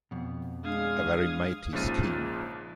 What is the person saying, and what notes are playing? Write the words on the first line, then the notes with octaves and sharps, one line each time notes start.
A very matey scheme.
F2 B2
G#3 D4 F5 D#6 G#6
A#1 G#2 C#3 F3 A6 D#7